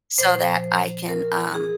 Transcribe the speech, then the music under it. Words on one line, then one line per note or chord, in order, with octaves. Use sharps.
so that I can, um
A#2 F3 C5
A#4
G#4